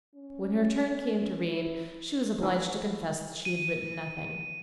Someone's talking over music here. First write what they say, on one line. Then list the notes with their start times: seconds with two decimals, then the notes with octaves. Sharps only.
When her turn came to read she was obliged to confess she had written nothing.
0.15 C#4
1.46 E4
2.42 E3 F3
3.45 D#7